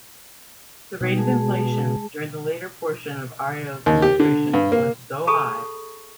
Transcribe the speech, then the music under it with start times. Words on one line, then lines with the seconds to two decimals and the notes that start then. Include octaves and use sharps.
The rate of inflation during the later portion of Arroyo's administration was so high.
1.01 B2 G3 D#4
1.17 G#3 G#4 A5
3.86 D#2
4.02 G4
4.20 D3
4.53 G2
4.72 A#3
5.27 G#4 A4 A5 B5 C#6 D#6